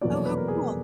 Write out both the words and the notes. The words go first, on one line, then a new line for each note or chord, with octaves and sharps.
Oh, how cool.
F1 E2 B2 F#3 A#3 D5
C#5
B4
A#4
G#4